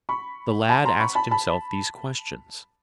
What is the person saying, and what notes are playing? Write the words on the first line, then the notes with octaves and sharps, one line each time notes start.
The lad asked himself these questions.
B5 C#6
A5 B5
A#5 C6
B5 C#6
A5 B5
A5 B5